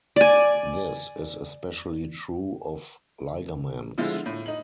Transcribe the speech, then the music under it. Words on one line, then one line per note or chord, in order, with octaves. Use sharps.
This is especially true of ligaments.
D5 G#5
D3 F3 G#3 E4 F4
A2
D#4 F#7